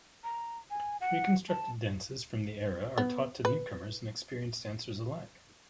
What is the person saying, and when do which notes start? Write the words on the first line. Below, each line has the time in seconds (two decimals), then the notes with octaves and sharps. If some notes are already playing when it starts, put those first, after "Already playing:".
Reconstructed dances from the era are taught to newcomers and experienced dancers alike.
0.24 A#5
0.70 G#5
1.01 F#5
1.49 A5
2.98 B3
3.45 B4